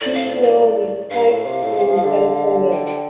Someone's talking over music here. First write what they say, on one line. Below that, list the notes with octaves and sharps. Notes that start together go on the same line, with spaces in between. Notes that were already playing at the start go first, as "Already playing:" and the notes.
He now resides in California.
A2 D5
F5
D5
D5
G2 F5
A2
C3
A2
C3
F3
D3
G5
G5